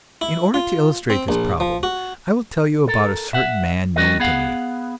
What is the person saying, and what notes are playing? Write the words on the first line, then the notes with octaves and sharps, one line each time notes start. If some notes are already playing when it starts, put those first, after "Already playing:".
In order to illustrate this problem, I will tell you about a certain man known to me.
E4
F4
C4
A#1
F3
F#4
A4 A#4
E5 F#5
G3 C#4 F#4 A#4 D#5
B3 G#4 F5 F#5